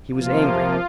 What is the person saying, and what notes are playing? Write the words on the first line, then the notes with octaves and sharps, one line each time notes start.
He was angry.
C3 F3 A#3 F4